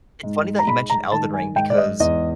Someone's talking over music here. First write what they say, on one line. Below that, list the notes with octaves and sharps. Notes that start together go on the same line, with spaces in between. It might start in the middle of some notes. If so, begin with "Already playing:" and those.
it's funny that you mentioned Elden Ring because,
G#2
A#5
G#3 B5
A#5
D#3 A5
G#5
G#2 G5
D5
D#5
E2 D#5